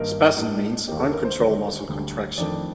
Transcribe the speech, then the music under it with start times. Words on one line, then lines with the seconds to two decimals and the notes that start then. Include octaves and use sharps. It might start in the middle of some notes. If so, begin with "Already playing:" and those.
Spasm means "uncontrolled muscle contraction".
Already playing: G2 D#3 A#3 D#4 A#4
0.37 A2 G3 D4
0.88 D#2 D#3 A#3 D#4 G4
0.99 A4
1.13 A#4
1.25 C5
1.38 D#2 D3 G3 D4
1.88 D2 D3 G3
2.38 F2 D#3 A3 D4 D5